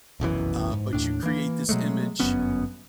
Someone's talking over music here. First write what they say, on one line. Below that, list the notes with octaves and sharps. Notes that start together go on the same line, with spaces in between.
uh, but you create this image
F1 B1 F#2 E3
G#2
D#2 A2 D4
E3 A#3
B2 F#3 G#3 A3
G1 F#2 B3 C#4